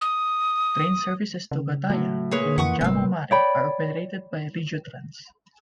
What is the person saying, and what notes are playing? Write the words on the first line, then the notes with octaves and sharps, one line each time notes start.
Train services to Gataia and Jamu Mare are operated by Regiotrans.
D#6
C#3
A2 F#3 A3
A#2 G#4 B4 C#5
F2 E3 F#5 C#6 D#6
G#1 C3 G#3 A3 B3 C4
C#5 D5 G5 B5